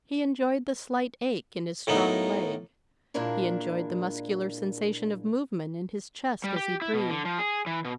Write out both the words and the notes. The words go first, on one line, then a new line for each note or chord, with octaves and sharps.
He enjoyed the slight ache in his strong leg, he enjoyed the muscular sensation of movement in his chest as he breathed.
A2 A#3 B3 D#4
A#2 G#3 A#3 D4 E4 A#4
G3
G4
E4
B2
D3
F3
G#4
E3
B2